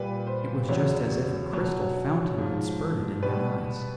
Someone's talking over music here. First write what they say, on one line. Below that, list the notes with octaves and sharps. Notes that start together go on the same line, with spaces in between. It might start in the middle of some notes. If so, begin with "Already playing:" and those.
It was just as if a crystal fountain had spurted in their eyes.
Already playing: A#2 G3 B4
C5
E2 C#3 F#3 C#5
B2 F#3 C#5
G#2 F3
B2 G3 B4